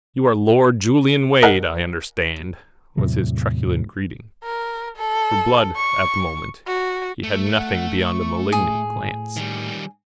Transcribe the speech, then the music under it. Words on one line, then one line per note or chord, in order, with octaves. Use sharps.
"You are Lord Julian Wade, I understand," was his truculent greeting. For Blood at the moment he had nothing beyond a malignant glance.
A#4 D#5 F#5 G#5
E2 A2 C3 F#3
A#4
A4
C#6
F#4
A3
F#5
C#6
A2 G#4
D#3 G3